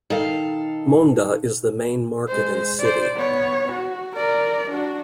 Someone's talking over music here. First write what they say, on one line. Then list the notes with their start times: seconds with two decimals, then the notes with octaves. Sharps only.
Mondha is the main market in city.
0.10 D#3 A4 F5
2.28 G#3 C5
2.80 C5 D5
3.17 B3 C#5
3.73 F#4
4.17 A#4 D5
4.71 D4 F#4